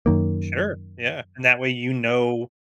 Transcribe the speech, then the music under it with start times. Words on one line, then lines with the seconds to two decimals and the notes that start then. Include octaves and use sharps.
Sure, yeah. And that way you know
0.06 F#2 D#3 A#3